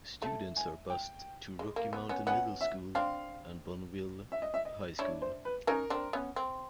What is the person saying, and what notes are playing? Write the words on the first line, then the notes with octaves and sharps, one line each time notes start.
Students are bussed to Rocky Mountain Middle School, and Bonneville High School.
A3 A5
G#5
G5
G#3
A#3
B3
B3 C#4
B3 C#4 F#5
E5
C4 D4 F5
E5
D#5
E5
D#5
D4 E4 C#5
C5
B4
C#4 D#4 A#4
C4 D4
B3 C#4
C4